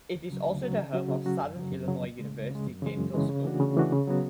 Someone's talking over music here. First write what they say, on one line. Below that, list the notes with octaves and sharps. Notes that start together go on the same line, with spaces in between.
It is also the home of Southern Illinois University Dental School.
D2
C#3 F#3
D2
C#3 F#3
C#3
F#3 C#4 F#4
C#3
F#3 C#4 F#4
F#2
C#3 F#3
F#2
C#3 F#3
C#2
C#3 G#3
C#2
C#3 G#3
F#2
C#3 E3 G#3
F#2
C#3 E3 G#3
C#3
E3 A3 D4 F#4
C#3
E3 A3 D4 F#4
C#3
F#3 B3 F#4